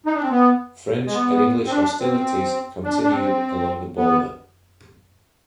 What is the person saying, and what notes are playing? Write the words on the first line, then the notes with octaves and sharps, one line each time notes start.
French and English hostilities continued along the border.
D#4
D4
C4
B3
G#3
B3
C4
D4
C4
D4
D4
C4
B3